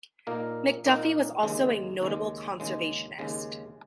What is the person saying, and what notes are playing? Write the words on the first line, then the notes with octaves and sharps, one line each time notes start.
McDuffie was also a notable conservationist.
A#2 A#3 D#4 A#4
A#2 A#3 D#4 A#4
D#2 C#3 G#3
D#2 C#3 G#3
D#2 C#3 G#3
D#2 C#3 G#3